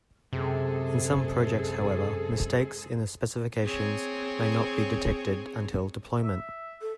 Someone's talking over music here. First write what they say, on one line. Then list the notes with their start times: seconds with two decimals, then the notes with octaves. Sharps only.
In some projects however, mistakes in the specifications may not be detected until deployment.
0.33 F#2 C3 G#3 G#4 A4
3.64 C4 G#4 C#5
6.22 E5
6.81 A4